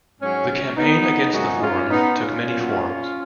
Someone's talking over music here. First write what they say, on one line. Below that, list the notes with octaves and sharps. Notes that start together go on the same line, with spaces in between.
The campaign against the forum took many forms.
G#2 F#3 C#4
C#4
B3 D#4
F#2 F3 G#3 D#4 F#4
C#4 F4
B3 D#4
C#4 F4
A#2 F#3